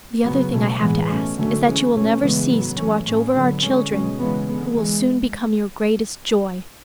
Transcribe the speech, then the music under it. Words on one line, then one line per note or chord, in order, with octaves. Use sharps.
The other thing I have to ask is, that you will never cease to watch over our children, who will soon become your greatest joy.'
C#3 F#3 B3
B2 A3 C#4
A2 E3 G#3 B3
B2 A3 C#4
D3 F#3 A3 C#4
E3 G#3 C#4
B2 A3 C#4
C#3 E3 G#3 B3
A2 F#3 B3
E3 A3 C#4
A2 G#3 C#4
D3 F#3 B3
D3 G#3 C#4
B2 G#3 C#4
C#3 E3 G#3 B3
D3 G#3 B3
E3 G#3